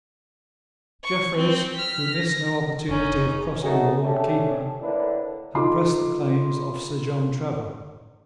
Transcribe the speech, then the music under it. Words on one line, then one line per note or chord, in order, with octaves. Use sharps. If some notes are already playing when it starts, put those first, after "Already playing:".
Jeffreys, who missed no opportunity of crossing the Lord Keeper, had pressed the claims of Sir John Trevor.
C#6
C4
F6 B6
A#6
F1 C#4 D#4
F#3 A3 D#4 F#4 G#4 A#4
A3 C#4 D4 G4 A4
A2 D3 A#3 D4 E4 B4
D#4 F4 A4 B5 C6 D6